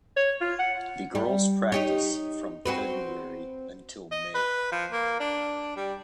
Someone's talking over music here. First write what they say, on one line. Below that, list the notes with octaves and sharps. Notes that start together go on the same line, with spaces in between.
The girls practice from February until May.
C#5
F4
F#5
G3
D#4 G4 C#5
C4 F#4 B4
D#5
B4
F3
A#3
D4
G3